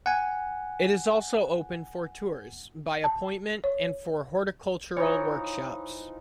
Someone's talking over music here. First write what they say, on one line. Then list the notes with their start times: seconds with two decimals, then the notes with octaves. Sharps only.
It is also open for tours, by appointment, and for horticultural workshops.
0.06 F#5 G#5
3.04 A5
3.64 C#5
4.97 E3 F3 D#4 C#5